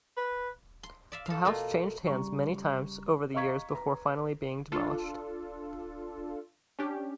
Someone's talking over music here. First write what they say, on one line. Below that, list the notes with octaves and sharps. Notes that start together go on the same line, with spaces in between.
The house changed hands many times over the years before finally being demolished.
B4
C6
D5 E5 F5
A4 F5
B2 A3 A#3 F4
C#3 G3 A#5 C#6
D#5 F5 A#5 C#6 G#6 B6
B4 A#5
D4 F4 A4
C#4 D4 G4